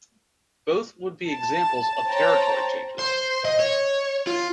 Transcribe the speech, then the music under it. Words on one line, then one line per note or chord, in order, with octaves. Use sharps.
Both would be examples of territory changes.
A5
C5 C#5 G5 A5 A#5
C5
D#5
C#5
F4